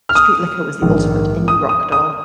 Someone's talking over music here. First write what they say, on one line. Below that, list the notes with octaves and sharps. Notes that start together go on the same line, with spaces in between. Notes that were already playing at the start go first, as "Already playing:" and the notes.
Street Licca was the ultimate "indie rock" doll.
F6
D#6
A#1 G#2 D#3
D#6
D#6
D#6